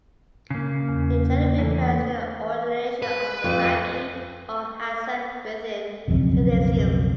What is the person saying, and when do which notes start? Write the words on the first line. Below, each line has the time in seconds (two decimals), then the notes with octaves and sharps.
It generally refers to the ordination of a rabbi or hazzan within Judaism.
0.50 C#3 A#3
0.89 E2
1.58 E3 A3 A#3 A4
3.02 B4
3.44 F2
6.08 B1 F2 C#3